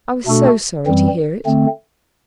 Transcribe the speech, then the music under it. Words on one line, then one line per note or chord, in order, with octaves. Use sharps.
"I was so sorry to hear it."
B2 A3 D4 F#4 A4
F#2 E3 G3 C4
D3 A3 C4